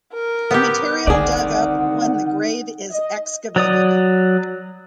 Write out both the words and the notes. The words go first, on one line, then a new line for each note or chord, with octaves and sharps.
The material dug up when the grave is excavated.
A#4
B3 G4
C2 D3 D#3 G#4 D5 F#5
D#5
F#3 D5 D#6